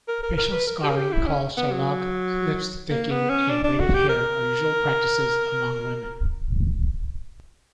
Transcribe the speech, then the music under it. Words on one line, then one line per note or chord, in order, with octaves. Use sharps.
Facial scarring called Shoulokh, lips sticking, and braided hair are usual practices among women.
A#4
A#4
A#4
B4
A#4
G4
A#4
G4
E4
C#4
B3
F#3
A#3
B3
C#4
D4
D4
F#4
G4
A#4